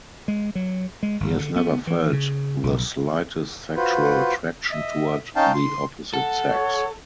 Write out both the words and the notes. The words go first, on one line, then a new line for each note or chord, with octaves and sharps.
He has never felt the slightest sexual attraction toward the opposite sex.
G#3
F#3
G#3
G1
D3
B3
E3
C#3
B1
F4 F#4 B4 C5
D#5 E5
C#4 D#4 F5 G5 A5
C6
A4 F#5
C#5